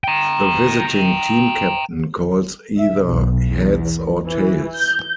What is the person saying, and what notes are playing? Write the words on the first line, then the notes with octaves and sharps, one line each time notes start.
The visiting team captain calls either heads or tails.
G5 A#5
E5
B1
E2
E3
G6